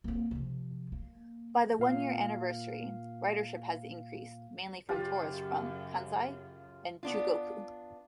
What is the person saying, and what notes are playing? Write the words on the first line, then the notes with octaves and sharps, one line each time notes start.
By the one-year anniversary, ridership had increased, mainly from tourists from Kansai and Chugoku.
A#3 C4
C3 F3
A#3
A#2 F5
F#2 C#3 F4 G4
B3 D4 F4